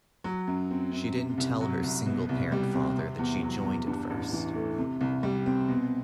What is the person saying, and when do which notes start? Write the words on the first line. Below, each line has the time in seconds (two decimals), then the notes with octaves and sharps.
She didn't tell her "single parent father" that she joined at first.
0.24 F#3
0.47 F#2
0.71 C4
0.92 F#2
1.15 C3
1.38 C2
1.61 F#3
1.83 C2
2.06 B2
2.29 C2
2.52 G3
2.74 C4
2.97 C3
3.19 E2
3.43 F#3
3.65 E2
3.88 G2
4.10 A1
4.33 E3
4.55 A3
4.78 C3
5.01 C2
5.23 G3
5.46 C4
5.69 B2